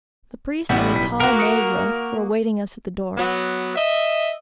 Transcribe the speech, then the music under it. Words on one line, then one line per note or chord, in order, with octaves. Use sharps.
The priest and his tall Megaera were awaiting us at the door.
A1 G3 B3 E4
B1 B6
A#3 F#4 A#4
D#6 C#7 D7
F#3 B3
D#5 E5